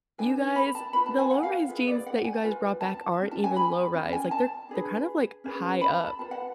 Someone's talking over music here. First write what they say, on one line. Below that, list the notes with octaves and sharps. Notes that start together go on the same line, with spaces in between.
"You guys, the low-rise jeans that you guys brought back aren't even low-rise, like, they're they're kind of like high up."
D4 G#4 B4 G#5
B5
A5
F4 B4 B5
A5
G#5
F#5
F5
F4 G#4 B4
D5
F#5
G#5
F4 B4
A5
C#4 F#4
A5
G#5
B5
C#4 F4
G#5
A5
D4 G#4 B4
C#4 G#4 B4
B5
A5
F4 B4 A5
F#5